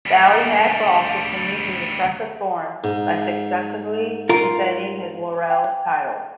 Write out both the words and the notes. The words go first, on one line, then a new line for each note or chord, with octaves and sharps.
Ballymac Ball continued his impressive form by successfully defending his Laurels title.
D2 G3
G#2
F4 A#4
G5